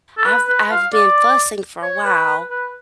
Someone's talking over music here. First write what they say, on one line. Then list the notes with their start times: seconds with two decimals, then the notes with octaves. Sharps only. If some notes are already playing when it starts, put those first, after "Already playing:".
I've I've been fussing for a while,
0.17 A4
0.25 B4
0.48 B4
0.71 F5
0.93 D5
1.83 C#5
2.05 B4
2.50 B4